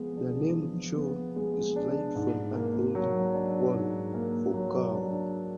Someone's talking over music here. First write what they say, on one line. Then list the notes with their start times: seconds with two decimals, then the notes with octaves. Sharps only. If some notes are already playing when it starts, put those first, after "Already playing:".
The name 'kyo' is derived from an old word for 'cow'.
Already playing: F3 G#3 B3
0.17 D4
0.56 F3
0.96 B3
1.36 G#3
1.76 D4
2.15 G#2
2.55 A#3
2.95 F#3
3.34 D4
3.75 G#2
4.14 A#3
4.54 F#3
4.94 D4